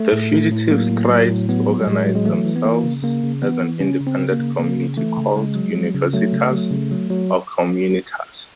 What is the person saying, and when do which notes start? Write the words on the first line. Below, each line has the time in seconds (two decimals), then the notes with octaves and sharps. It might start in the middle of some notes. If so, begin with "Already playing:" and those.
The fugitives tried to organise themselves as an independent community called "universitas" or "communitas".
Already playing: A3
0.13 A2
0.32 A2
0.52 A2
0.71 F#3 A#3
0.90 A2
1.09 F#3
1.29 A2
1.49 F#3 B3
1.67 F#3
1.80 G3
1.87 A2 G#3
2.07 F#3
2.15 G#3
2.26 E3 A3
2.45 E3
2.56 B3
2.65 E3 A#3
2.84 C#3
3.03 C#3 A#3
3.23 C#3
3.42 E3 B3
3.61 E3
3.80 C#3 C#4
4.00 C#3
4.07 C4
4.19 C#3
4.32 A#3
4.39 C#3
4.59 C#3 A#3
4.79 C#3
4.97 E3 A3
5.17 C#3
5.36 C#3 G#3
5.55 F#3
5.75 F#3
5.94 C#3
6.13 F#3 A3
6.33 C#3
6.52 F#3
6.71 C#3
6.91 F#3
7.10 F#3